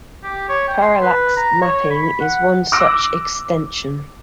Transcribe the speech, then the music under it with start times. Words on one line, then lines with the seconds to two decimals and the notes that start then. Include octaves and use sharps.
Parallax mapping is one such extension.
0.23 G4
0.48 C#5
0.67 G5
0.81 C6
1.02 B4
1.37 A#5
1.62 C#5
1.90 B5
2.03 B5
2.20 F#5
2.72 D6 E6 F#6 A#6 D7